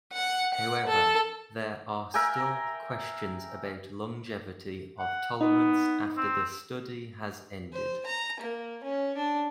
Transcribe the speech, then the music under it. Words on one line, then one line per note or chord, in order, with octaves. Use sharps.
However, there are still questions about longevity of tolerance after the study has ended.
F#5
F#5
A4
A#4 E5 G5 G#5
F#5
B3 D#4
C4
C5
A#5
A#3
C#4
D4